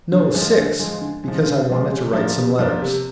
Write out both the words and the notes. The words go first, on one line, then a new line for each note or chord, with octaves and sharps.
"No--six," because I wanted to write some letters.
D3
F3 G#3
D3
F3 G#3
D3
F3 G#3
D3
F3 G#3
C3
F3 A#3 D4
C3
F3 A#3 D4
C3